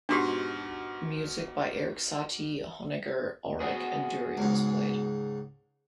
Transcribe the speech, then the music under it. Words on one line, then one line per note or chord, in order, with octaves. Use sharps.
Music by Erik Satie, Honegger, Auric and Durey was played.
G#2 B2 D4 F#4 G4
B3 F#4 G#4
C#2 G#2